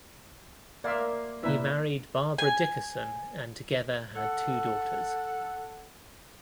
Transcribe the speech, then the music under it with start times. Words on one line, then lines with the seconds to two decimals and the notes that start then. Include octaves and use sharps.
He married Barbara Dickerson and together had two daughters.
0.84 A#3 D5 E5 F5 C6
1.43 A#2 E4 B4 E5
2.38 G#5
4.16 A4 F#5